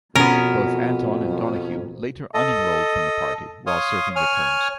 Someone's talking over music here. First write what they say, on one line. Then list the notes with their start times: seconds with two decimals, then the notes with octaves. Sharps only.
Both Anton and Donoghue later unenrolled from the party while serving their terms.
0.15 F2 B2 B3 C#4 A#4
2.34 A4 D#5
3.67 C#5 F5 C6 D#6
4.16 C#5 G#5 F6